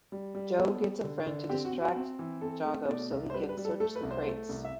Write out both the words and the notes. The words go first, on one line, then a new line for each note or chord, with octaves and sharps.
Joe gets a friend to distract Jago so he can search the crates.
G3
G3
B3 A4
G3
D3
D3
C4 G4
F#4
C4
F#4
C4
E3
C4 A4
A3
B2 D5
C2
C5
G3 B4
B4
G3
A4
A3 A4
B4
C2
C5
A3
C2
E5